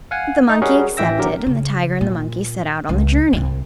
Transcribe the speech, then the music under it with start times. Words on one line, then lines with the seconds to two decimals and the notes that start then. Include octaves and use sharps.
The monkey accepted, and the tiger and the monkey set out on the journey.
0.11 F5 F#5 G#5
0.49 D#4
0.62 G3 C#4 F#4 G#4 A#4 F#5
0.97 A1 E3 E5 G5 E6 A#6
1.18 D3 F#3 G4 A#4
1.47 C#3
2.01 A#2
2.89 C#2
3.33 C2 C4